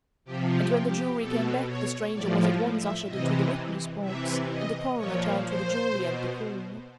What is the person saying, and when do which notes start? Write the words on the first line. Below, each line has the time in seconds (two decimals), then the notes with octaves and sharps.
And when the jury came back the stranger was at once ushered into the witness-box, and the Coroner turned to the jury and the court.
0.25 C3 F3 G4
0.55 G4
0.87 G4
1.19 B2 A4
1.66 C#5
2.13 A2 F3 D5
2.76 E5
3.07 C3 E3 D#5
4.02 C3 E3 E5
4.49 D#5
4.95 A#2 F3 C#5
5.43 C5
5.90 B2